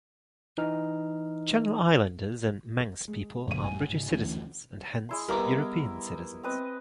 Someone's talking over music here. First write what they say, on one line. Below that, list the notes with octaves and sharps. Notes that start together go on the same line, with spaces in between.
Channel Islanders and Manx people are British citizens and hence European citizens.
E3 D#4 F6
G#3
A#1 F#2 A#2 C#3 D#7
A1 F#2 G3 G#5
G#2 C#3
D2 E3 C#4
G#3 E4 C6
G3 B3 E4 A#4 D#5 A#5 D6
C4 B4 D#5